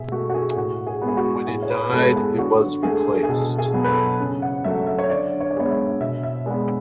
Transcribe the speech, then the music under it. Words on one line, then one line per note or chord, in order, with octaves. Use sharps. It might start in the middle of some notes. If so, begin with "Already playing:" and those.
When it died, it was replaced.
Already playing: B2 G#4 E5
A3 F#4
F#4
G#4
G#4
A2 F#4
G#4
G#3 B3
G#4
F#4
A2 G#4
C#5
B4
G#3 B3 A4
G#4
D3 F#4
A3 G#4
G#4
B2 A4
G#4
F#3 B3
B4
A4
C#3
F#5
F#3 A3 E5
E5
C#5
D3 D5
C#5
D5
G#3 B3 C#5
E5
B2 E5
E5
G#3 B3 D5